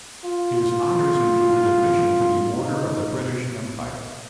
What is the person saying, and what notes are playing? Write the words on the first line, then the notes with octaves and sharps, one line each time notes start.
His honors included admission to the Order of the British Empire.
F4
F4
D#4